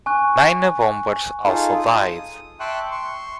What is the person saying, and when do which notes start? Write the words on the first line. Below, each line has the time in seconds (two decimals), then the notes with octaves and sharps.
Nine bombers also died.
0.06 G#5 C#6 F#6
1.46 D#4 F4 G#4 A4
1.79 D#6
2.60 E5 G5 A5 C6 C#6 F#6
2.91 C6 C#6